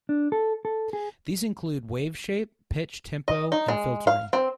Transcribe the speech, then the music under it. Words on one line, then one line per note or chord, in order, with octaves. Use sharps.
These include wave shape, pitch, tempo, and filtering.
D4
A4
A4
G#4
D#5
D#4
G#3
F5
C4